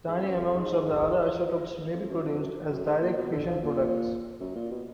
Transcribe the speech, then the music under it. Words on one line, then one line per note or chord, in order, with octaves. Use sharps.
Tiny amounts of the other isotopes may be produced as direct fission products.
G#2
F2
F#2
F2
G#2
F2
F#2
F2
F#2
F#2
G#2
A#2
B2
D3
F3
A#2
F#2
A#2
B2